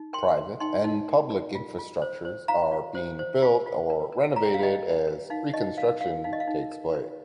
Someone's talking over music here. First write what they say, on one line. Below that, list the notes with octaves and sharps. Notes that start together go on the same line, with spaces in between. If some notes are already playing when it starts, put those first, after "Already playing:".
Private and public infrastructures are being built or renovated as reconstruction takes place.
Already playing: D#4
A#4 G5 C6
A#4
D#4 G5 C6
D#4
A#4
A#4
F4
F4
C5
C5
F4 F5 A#5
F4
C5
C5
F4
F4
A#4
A#4
F4 A#5
G5
F5
F4 D#5 G5
A#4
A#4
D#4 F5
D#4 D#5
A#4 F5
A#4 F5
D#4 F5
D#5
F5
D#4
A#4
A#4